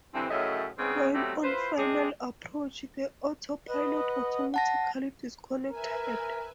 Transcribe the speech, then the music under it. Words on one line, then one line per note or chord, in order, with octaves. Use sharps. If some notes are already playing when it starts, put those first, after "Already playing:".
While on final approach, the autopilot automatically disconnected.
G2 D3 E3 C4
F#2 A2 C#3 A3 D#5 E5
G#2 C#3 G#3 B3 C4
B2 F#3 G3 A3 C4 G4
E4 F4 B4 C5
G#3 C4 D4 G#4
B4 D#5 F#5
F#5 A5 A#6
A#4 B4 E5 G#5